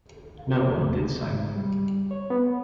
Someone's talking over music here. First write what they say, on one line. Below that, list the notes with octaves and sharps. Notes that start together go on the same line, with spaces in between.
No one did so.
G#2
G3
C#5
B3